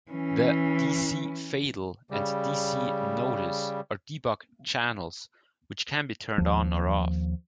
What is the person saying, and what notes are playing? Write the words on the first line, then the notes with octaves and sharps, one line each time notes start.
The 'dc::fatal' and 'dc::notice' are debug 'channels', which can be turned on or off.
E3 C#4
C#3 G3
D#2 F3